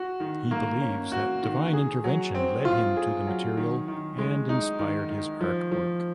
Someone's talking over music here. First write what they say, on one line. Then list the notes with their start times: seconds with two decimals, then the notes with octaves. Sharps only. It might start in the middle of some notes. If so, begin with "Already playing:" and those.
He believes that divine intervention led him to the material and inspired his artwork.
Already playing: F#4
0.20 D#3
0.51 A#3
0.81 C#4
1.12 F#4
1.43 D#3
1.73 G#4
2.04 F#3
2.35 C4
2.65 F4
2.96 G#4
3.27 F#3
3.57 D#3
3.88 D#3
4.18 G#3
4.49 D#4
4.79 D#3
5.10 D#3
5.41 F3
5.72 F3